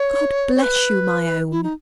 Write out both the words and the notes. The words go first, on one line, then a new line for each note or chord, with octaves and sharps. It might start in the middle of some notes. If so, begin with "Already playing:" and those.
"God bless you, my own!"
Already playing: C#5
C#5
B4
E4
D#4